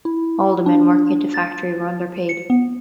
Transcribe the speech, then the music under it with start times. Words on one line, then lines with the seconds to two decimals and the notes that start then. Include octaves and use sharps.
All the men working at the factory were underpaid.
0.05 E4
0.66 D4
1.34 A6
2.29 C#7
2.50 B3